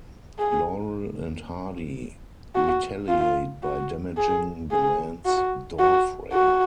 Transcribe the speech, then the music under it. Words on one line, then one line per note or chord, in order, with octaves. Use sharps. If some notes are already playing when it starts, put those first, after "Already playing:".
Laurel and Hardy retaliate by damaging the man's doorframe.
G#4
F#4
F4
F#4
G#4
G#4
F#4
F#4
F#4